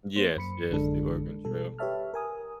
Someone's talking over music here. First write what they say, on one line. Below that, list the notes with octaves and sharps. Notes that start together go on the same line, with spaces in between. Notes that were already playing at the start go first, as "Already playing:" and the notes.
Yes, yes. The Oregon Trail.
A#3 C5
F#2 B5 C#7
A1 F#2 D3 G#3 D4 A4
B2 G3 A4
G4 B4 C#5 E5 A5 F6
A#4 G#5 D#6